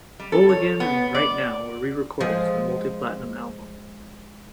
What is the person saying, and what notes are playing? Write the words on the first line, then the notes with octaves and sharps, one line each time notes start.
"Whole Again" and "Right Now" were re-recorded for the multi-platinum album.
G3
A4
C#5
B3
D5
F3 G#3